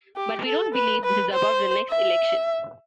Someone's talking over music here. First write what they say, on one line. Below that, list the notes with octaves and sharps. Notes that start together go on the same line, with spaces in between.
But we don't believe this is about the next election.
G4
A4
B4
B4
C5
E5